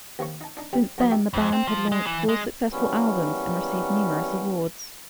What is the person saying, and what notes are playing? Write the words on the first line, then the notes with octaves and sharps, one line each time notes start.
Since then, the band had launched four successful albums, and received numerous awards.
D#2 C3 A#3 C#5 C#6
D#4 A5
D4 D#4
C3 G3
G2 B2 F3 F4 D#5 A#5
D#4 E4 G4 E5
F2
C4
F3
G#3
E3
G#3
E3 F#3 G3 A#3 B3 C#4